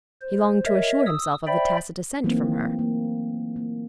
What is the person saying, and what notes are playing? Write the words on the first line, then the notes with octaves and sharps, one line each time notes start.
He longed to assure himself of a tacit assent from her.
C5
A#4 C#5 D#5 E5
D#6 E6
C5 D5 E5 G5 B5
E3 F#3 A3 A#3 C4 D#4
A#3
A#3